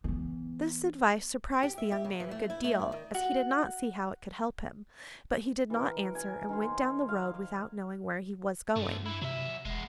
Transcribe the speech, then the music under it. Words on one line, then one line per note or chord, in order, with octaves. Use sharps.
This advice surprised the young man a good deal, as he did not see how it could help him; but he did not answer, and went down the road without knowing where he was going.
E3 B3
G4
E5
G4
C#3
E3
A3
E4
A3
D5
D#3
F#4
E3 A#4
G#5
D#3 A#4 C5
F5
G2 D3 A3
E3 E4
C3 F#3 E5
E1 G#3 B3